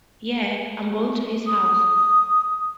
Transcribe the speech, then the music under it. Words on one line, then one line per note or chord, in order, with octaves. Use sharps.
Yeah, I'm going to his house.
D#6